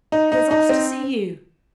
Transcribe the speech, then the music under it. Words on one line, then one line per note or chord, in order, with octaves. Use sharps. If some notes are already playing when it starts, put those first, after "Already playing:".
He has asked to see you.
D#4
D#4
D#4
C4